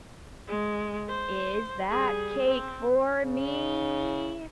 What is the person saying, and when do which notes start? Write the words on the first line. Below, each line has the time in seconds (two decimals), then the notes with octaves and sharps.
'Is that cake for me?'
0.48 G#3
1.08 C5
1.90 G3 G#4
2.43 C4
3.22 C#3